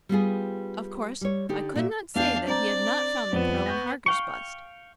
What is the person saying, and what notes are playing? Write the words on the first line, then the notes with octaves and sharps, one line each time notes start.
Of course, I could not say that he had not found the pearl in Harker's bust.
G3 B3 F4 G#4
G3 C#5
D3 D#4 G4
A#2 F#4 E5
E2 D4 F5 G6
C4 D5 A#5
F2 F3 B3 E7
C#6 G6 A#6
F5 G5 C#6